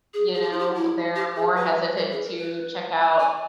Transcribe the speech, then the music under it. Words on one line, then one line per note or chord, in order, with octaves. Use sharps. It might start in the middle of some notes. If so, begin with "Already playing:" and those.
you know, they're more hesitant to check out
G#4
G#4
G4
E4
G4
E4
G4
G#4
B4
A#4
G#4
A#4
B4
G#5